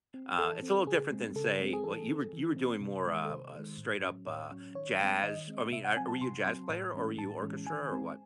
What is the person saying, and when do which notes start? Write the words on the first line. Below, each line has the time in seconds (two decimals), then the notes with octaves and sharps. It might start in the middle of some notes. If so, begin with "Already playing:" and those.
Uh, it's a little different than, say well, you were, you were doing more, uh, uh, straight up, uh, jazz. I mean, uh, were you a jazz player, or were you orchestra, or what?
0.14 C4
0.38 E3 A4
0.62 C4
0.87 C#3 G#4
1.11 G#3 C4
1.36 C#3 A4
1.59 G#3 C4
1.73 G#4
1.84 E3 A4
2.09 C4
2.33 E3
2.56 C4
2.81 C3
3.06 D#3 G#3
3.25 A4
3.30 C3 C5
3.54 D#3 G#3
3.77 A2
4.02 F#3 C#4
4.27 A2 C#5
4.51 F#3 C#4
4.75 D#3 C#5
5.00 G#3 C4
5.23 D#3 D#5
5.48 G#3 C4
5.72 C3 E5
5.84 F#5
5.96 C4 G#5
6.00 F#3
6.08 A5
6.21 C3 C6
6.45 F#3 C4
6.69 A2
6.94 E3 G#3 C#4
7.17 A2 A5
7.42 E3 G#3 C#4
7.66 D#3 G#5
7.91 G#3 C4